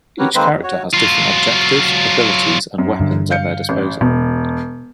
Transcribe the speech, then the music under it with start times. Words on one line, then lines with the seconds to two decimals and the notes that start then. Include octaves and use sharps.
Each character has different objectives, abilities and weapons at their disposal.
0.19 F#4 G4 A#4 B4 C#5
0.35 D#3 G#3 A#3 C4 B4 C5
0.51 F2
0.64 F#4 C#5
0.93 F#3 F4
2.78 F#2
3.00 G2 D3
3.31 F5 G6 C#7
3.69 A1
4.01 E1 B2